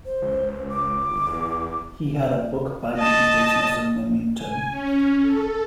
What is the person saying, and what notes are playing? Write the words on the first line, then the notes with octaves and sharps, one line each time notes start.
He had a book binding business in Leamington.
C5
C#2
D6
G1
E2
D#5 A5
G#5
C#4
A4